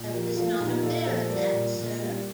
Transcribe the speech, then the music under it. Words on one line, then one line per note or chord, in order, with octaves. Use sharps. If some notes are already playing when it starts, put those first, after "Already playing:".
I was not aware of that, sir.
Already playing: A#2
F3 G4 A#4
A#4
F3 F4 A4
A#2 D#4 G4
A#2 F4 A4
F3 A4 C5
G3 A#4 D5
A#2
A#2
G3